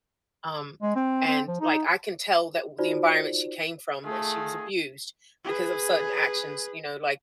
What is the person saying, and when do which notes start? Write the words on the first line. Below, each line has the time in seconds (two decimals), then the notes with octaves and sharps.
um, and, like, I can tell that the environment she came from, that she was abused because of certain actions, you know? Like
0.82 G#3
0.96 C4
1.28 C4
1.48 F3
1.61 D#4
2.78 D#4 F4 F#4 C5 D5
4.05 D#3 A3 F4 G#4
5.44 G#4 B4